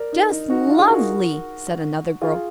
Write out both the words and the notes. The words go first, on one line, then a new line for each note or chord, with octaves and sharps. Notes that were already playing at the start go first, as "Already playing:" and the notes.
"Just lovely!" said another girl.
Already playing: A#4 D5
D#4
D#4
D#4 F#4
D4 F4
G#4
F#4 A#4
F4 G#4